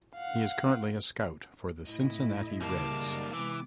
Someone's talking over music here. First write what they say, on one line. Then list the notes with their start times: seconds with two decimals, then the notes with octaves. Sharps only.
He is currently a scout for the Cincinnati Reds.
0.16 F5 F#5
1.87 A2 E4 D#5
2.62 C#3 G3 A#3 A5 D6
2.99 F#2 D#4 D5
3.33 C3 E3 G#3 B3 D6